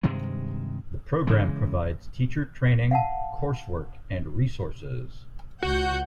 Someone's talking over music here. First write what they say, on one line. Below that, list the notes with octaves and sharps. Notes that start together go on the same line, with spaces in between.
The program provides teacher training, coursework, and resources.
G2 C3 D#3 G#3
C#3 E3 G#3
F5 F#5 A5
C#2 F#4 F#5 G6